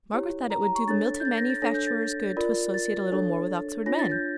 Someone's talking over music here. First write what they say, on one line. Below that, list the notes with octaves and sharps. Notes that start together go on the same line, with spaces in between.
Margaret thought it would do the Milton manufacturers good to associate a little more with Oxford men.
E4 G4 C#5
A#5
A#5
C#6
D4 A4 C#5 A6
G6
A6
A#6
A6
D4 A4 C#5 A#6
G6
A6
F4 A#4 D5
A6
D4 A4 C#5
D4 F4 C#5 A#6
A6
G6